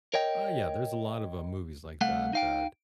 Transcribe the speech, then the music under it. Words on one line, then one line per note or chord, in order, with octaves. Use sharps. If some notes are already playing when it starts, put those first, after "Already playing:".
Ah, yeah. There's a lot of, uh, movies like that that
A#4 C#5 D#5 G5
C2 A3 F5 F#5
D#4 F5 G5